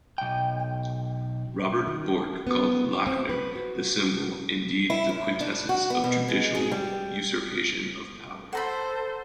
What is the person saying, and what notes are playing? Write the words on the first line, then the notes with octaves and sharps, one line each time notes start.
Robert Bork called "Lochner" "the symbol, indeed the quintessence, of judicial usurpation of power".
B1 G5
D#3
B3
C4
B4
F#4
E4
F#2
D4
F#4
B3
B2
G#3
G#4
G3
A4 C5 F#5 A#5 B5